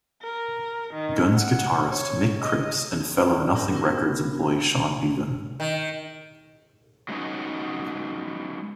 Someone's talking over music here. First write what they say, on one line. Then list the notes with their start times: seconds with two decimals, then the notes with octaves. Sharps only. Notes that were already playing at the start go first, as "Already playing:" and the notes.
Guns guitarist Mick Cripps and fellow Nothing Records employee Sean Beavan.
0.22 A#4
0.94 D#3
1.36 F#5
1.89 C#5
2.41 D#5
3.28 C#4 E4 F4 C5 D5
3.55 B3 D4 G4 A#4
3.74 B3 D4 E4 F#4 A#4
5.60 D#3
7.09 F#3 G#3 B3 C#4 D#4 C#5